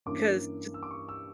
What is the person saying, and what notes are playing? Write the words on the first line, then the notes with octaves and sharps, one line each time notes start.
'cause jus
G2 E3 A#3 C#4 D6
E6
D6
C#6
E6